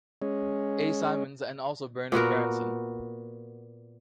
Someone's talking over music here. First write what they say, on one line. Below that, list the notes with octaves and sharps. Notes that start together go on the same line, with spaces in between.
A. Symonds and also Bernard Berenson.
G#3 C#4
A#2 B3 F#4 A#4